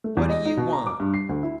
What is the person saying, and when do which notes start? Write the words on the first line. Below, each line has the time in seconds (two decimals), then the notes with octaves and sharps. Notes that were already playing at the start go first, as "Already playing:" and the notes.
"What do you want?"
0.04 A3
0.17 E2
0.30 D#5
0.45 D#4
0.57 B2
0.73 A#5
0.87 D6
1.00 G2
1.14 C7
1.29 D2
1.43 E4